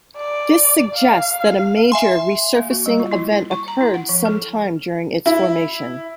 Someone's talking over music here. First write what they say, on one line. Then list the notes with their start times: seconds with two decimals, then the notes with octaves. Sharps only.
This suggests that a major resurfacing event occurred some time during its formation.
0.17 D5
0.95 F5
1.92 E5 G#5 C6
2.57 A#3
2.71 F#4
2.86 G3
3.00 F4
3.11 E4
3.33 E4
3.51 C#6
3.68 A#5
3.81 E4
3.94 F#5
4.09 F3
4.25 A4
5.26 E4